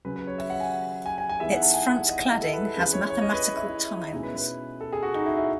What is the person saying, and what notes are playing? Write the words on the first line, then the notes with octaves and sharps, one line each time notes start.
Its front cladding has mathematical tiles.
C#3 F#3 C#4 B4
B4
C#5
E5
F#5
G#5
G#5
G#5
G#5
E3 G#3 B3 D#4 E5
F#5
A5
G#5
F#5
F#5
D#5
E4
A4
B4
A4
E3 G#3 C#4 B4
C#5
C#5
D#5
B4
E4
E4
D#4
B2 G#3 C#4 E4
B4
B4
A4
G#4
F#4
D#4
E4
E4